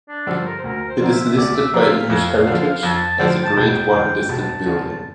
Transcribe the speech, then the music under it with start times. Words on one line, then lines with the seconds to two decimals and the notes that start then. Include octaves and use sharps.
It is listed by English heritage as a Grade One listed building.
0.08 D4
0.27 G2 D3 F3 A4
0.38 C5
0.45 A#4
0.58 C5
0.64 D2 A#4
0.88 C5
1.01 D3 F3 A#3
1.12 E5
1.27 E5
1.37 D2 D5
1.56 E5
1.73 D3 F3 A#3 E5
1.91 F5
2.10 F2
2.47 D3 F3
2.83 F2 A5
3.19 D3 F3 G5
3.45 A5
3.57 E1 G5
3.93 E2 D3
4.29 E1 A5
4.66 E2 D3